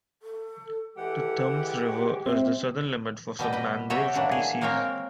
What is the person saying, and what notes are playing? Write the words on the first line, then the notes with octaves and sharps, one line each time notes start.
The Tumbes River is the southern limit for some mangrove species.
A4
E3 G#3 G4 A4 F#5
F2 C4 E5
B2 G3 D#5 G5
B4 D#5
F#4 G4 A4 C#5 D#5 E5
A#2 E3 D4 F#4 F#5
G#4
G#3 A#3 C4 A#4 C#5 G5